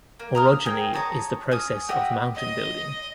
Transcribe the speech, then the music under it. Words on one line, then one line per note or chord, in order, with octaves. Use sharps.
Orogeny is the process of mountain building.
A#3
A#5 D#6 F6
G#4 A#4 G5
C#5 A5 A#5 D#6
C#4 D#6
G4 D#5 E5 F#5
D#5